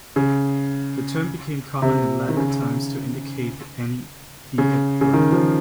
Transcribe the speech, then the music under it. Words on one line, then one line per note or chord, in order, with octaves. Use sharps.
The term became common in latter times to indicate any "biga" driver.
C#3
C3
D#3
C#3
C#3
C#3
D#3
F3